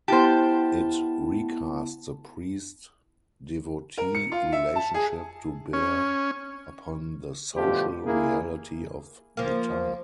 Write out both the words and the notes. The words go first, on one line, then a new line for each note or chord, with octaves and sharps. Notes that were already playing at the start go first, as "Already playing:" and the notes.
It recast the priest-devotee relationship to bear upon the social reality of the time.
B3 E4 G4 C5 A5
A#4
C#7
F4
E5
A5
G#4
C#4
B2 D3 F3 A3 G4
A#3 E4 G#4
F3 A#3